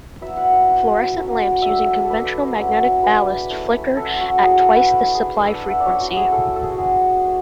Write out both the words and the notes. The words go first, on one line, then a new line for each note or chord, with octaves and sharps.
Fluorescent lamps using conventional magnetic ballasts flicker at twice the supply frequency.
F#3 B3 E4 E5
F#5
F#5
F#3 C#4 E4
F#3 A3 C#4 E4
F#3 A3 D4 E5
E5
A4
A3 D4 B4
F#3 C#4 E4
G#3 D4 B4
A3 C#4 E4
F#3 C#4 E4 A4
F#4
F#3 C#4 E4 G#4
A4
B4
A3 D4
G#4
A3 D4 A4
A4
F#5
E5
D5
A3 C#4 E4 C#5
F#4
G#4
A3 C#4 E4 A4
A4
G#4
F#4
G#3 B3 D4 G#4
A3